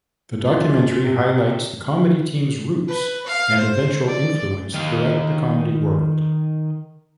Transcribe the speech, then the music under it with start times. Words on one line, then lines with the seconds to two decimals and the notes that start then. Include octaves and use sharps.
The documentary highlights the comedy teams roots and eventual influence throughout the comedy world.
0.45 F#2 F4
1.05 C3 C4
2.88 B4
3.26 F5
3.57 C5
4.07 D5
4.74 D#3 F5